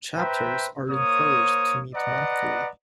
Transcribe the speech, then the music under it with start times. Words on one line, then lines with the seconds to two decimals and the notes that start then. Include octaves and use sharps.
Chapters are encouraged to meet monthly.
0.17 B4 C5 E5 G5 A#5
0.89 A#3 C5 C#5 D#6
1.95 B4 D5 D#5 F#5 A#5